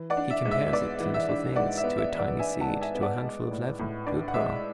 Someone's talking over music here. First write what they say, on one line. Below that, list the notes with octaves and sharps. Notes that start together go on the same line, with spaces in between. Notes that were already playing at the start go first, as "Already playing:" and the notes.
He compares it to little things, to a tiny seed, to a handful of leaven, to a pearl.
Already playing: E3
D5 F#5
D4
E5
G#2
E5
B3 D5
E3
E5
D4
G#2 D5 F#5
E5
B3
E5
E3
D5 F#5
D4 E5 G#5
F#5 A5
G#2
E5 G#5
B3
D5 F#5
G#3
A2
A2
D4 D5
F#5
G#3 E5